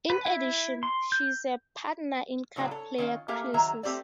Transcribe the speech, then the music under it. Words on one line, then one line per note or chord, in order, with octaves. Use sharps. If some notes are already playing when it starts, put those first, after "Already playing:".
In addition, she is a partner in Card Player Cruises.
B4
E4
C6
G6
A2 C#3 F#3 B3 D4 G#4
A4 C#5
D#3 C#4 F4
A3 A#3 G4 G#4 A#4 E5
D#3 F#3 G#4 E5 A#5
A3 C4 G4 C5 D5